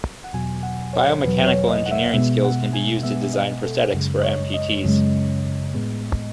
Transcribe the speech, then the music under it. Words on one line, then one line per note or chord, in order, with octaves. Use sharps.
Bio-mechanical engineering skills can be used to design prosthetics for amputees.
F#5
E2 B2 F#3 G#5
F#5
C#5
E2 B2 F#3 B4
C#5
D#5
F#5
E5
B2 G#3 B3 E5
F#5
G#5
B2 G#3 B3 E5
E5
D#5
A4
F#2 C#3 G#3
D#5
C#5
D#5
F#2 C#3 G#3
A2 G#3 B3